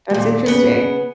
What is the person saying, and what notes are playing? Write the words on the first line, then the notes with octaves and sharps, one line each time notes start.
That's interesting.
D#2 A#2
C#3 B3